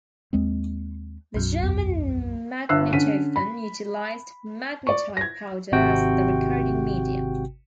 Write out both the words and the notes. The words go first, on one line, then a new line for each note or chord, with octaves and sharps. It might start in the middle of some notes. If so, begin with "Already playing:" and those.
The German magnetophon utilized magnetite powder as the recording medium.
D#2 G#3 C4
B1 F#2
E2
G1 G2 E5 E6 F#6 C7
D3 C#4 B6 D#7
B5
D5 C#6
G#6 A#6
G#1 C3 F#4 G5